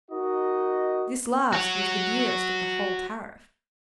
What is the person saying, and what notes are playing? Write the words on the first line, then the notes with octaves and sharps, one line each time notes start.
This last was the dearest of the whole tariff.
D#4 F#4 A#4 D#5
F#4 C#5